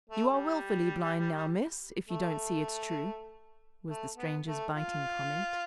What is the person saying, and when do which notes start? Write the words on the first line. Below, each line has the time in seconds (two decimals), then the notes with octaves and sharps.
"You are willfully blind now, miss, if you don't see it's true," was the stranger's biting comment.
0.10 A3
0.31 G3
2.09 A3
3.87 A3
4.16 B3
4.46 A3
4.76 F4